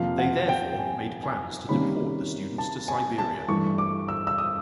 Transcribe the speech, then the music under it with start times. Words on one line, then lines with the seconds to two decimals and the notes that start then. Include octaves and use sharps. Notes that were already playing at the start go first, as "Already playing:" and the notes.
They therefore made plans to deport the students to Siberia.
Already playing: F2 C3 F3 A#3 F5
0.19 F#5
0.49 G5
0.79 G#5
1.23 G#5
1.69 C3 D#3 G3 A#3 C#4 B5
2.58 A5
2.88 G#5
3.18 A5
3.48 G2 E3 A3 C#6
3.78 D6
4.08 E6
4.27 E6
4.38 D#6